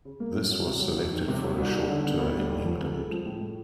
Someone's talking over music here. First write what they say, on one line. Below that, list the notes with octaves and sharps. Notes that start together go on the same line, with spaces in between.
This was selected for a short tour in England.
C#3
A#3
F#2
F#3
C3
F#3
F2
D#3
C3
F#3
C2
D#3
D3
B3
D2
G3
D#2
F3
F1
C#3
F3
A2
A2